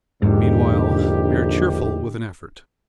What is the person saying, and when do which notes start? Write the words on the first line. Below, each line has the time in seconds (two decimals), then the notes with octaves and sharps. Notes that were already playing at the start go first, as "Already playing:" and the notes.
Meanwhile we are cheerful with an effort.
0.22 A#1 E2 G#2 D3 D#4 G4